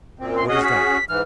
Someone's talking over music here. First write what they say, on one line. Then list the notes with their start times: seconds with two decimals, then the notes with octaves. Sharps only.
"What is that?"
0.19 F#2 A#2 C4
0.36 C6
0.48 C#4 F#4 G#4 D#5
0.64 B6
1.09 G#2 E3 F6